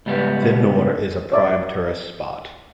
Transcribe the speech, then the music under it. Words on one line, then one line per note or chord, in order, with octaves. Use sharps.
Thennoor is a prime tourist spot.
C#2 G#2 G3 B3
C#5 D5 E5